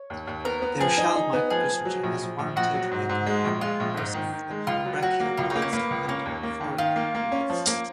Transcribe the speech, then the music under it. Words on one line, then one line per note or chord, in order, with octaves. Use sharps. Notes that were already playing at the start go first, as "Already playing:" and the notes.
Their shell microstructure has warranted their comparison with the brachiopods and phoronids.
Already playing: C#5
D#2
D#2
B3 A#4
B3
F3 G#4
D#4
D#4
B3
F3 G#4
F3
F#3
A#1
A#1
A#1
A#1 F#4
F#3
G#2
G#2
G#3
A#1
G#3 F4
A#1
G#2 D#4
D#3
D#3
G#3
C#2 F4
F#3
F#3 F#4
A#3
C#2 F4
D#4
A#3
C#4
A#3 B3
C#2
A#3 C#4
D#2
A#3
D#3
D#3 F4
A#3
A#3
C#4
F3
A#3